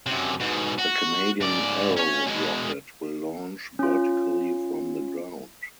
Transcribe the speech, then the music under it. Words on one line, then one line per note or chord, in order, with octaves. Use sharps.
The Canadian Arrow rocket will launch vertically from the ground.
F#2 C3
G#2 B2
F#4
G#2 D5
C#4 C#5
B2 G#3
C#4 F4